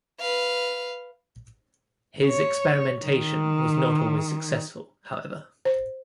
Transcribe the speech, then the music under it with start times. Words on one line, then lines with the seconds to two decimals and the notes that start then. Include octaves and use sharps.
His experimentation was not always successful however.
0.20 B4 F5
2.26 C#5
3.05 D#3
5.65 C5